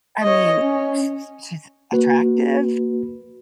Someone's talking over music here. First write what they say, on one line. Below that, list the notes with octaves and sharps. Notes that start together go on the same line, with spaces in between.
I mean, sh sh she's attractive,
C#5 D#5
C#4
A#3 F#4 B4